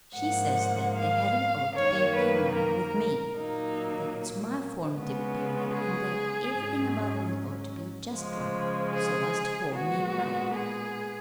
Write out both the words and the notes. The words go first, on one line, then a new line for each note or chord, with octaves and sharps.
She says that they hadn't ought to be here now--with me; that it's my form'tive period, and that everything about me ought to be just right so as to form me right.
G#2 F3 A#3 F#5
F5
F#2 D#3 A#3 C#5
B4
A#4
A#2 F#3 A#3 D#4
C#3 G#3 B3
G#4
G#2 F#3 C#4
C#3 F3 G#3
G#4
A#2 G#3 B3 F#4
G#4